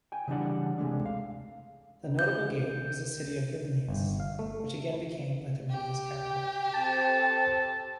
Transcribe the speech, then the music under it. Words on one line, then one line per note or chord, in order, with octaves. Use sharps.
The notable gain was the city of Vilnius, which again became Lithuania's capital.
G5 G#5
C#3 E3 G3 D4 D5 F#5
C3 G#3 A3 D4
F5
G6
G1
F5
A3
G4
C4 A4 A5